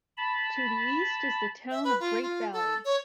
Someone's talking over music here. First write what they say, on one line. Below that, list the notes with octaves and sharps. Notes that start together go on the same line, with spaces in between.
To the east is the town of Great Valley.
A5 B5
E5
B4
F4
F4
A4
C#5